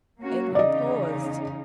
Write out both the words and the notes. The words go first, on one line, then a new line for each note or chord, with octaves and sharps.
Edwin paused.
A#3 C#4 F#4
E2 C#3 D#4 D5 D#5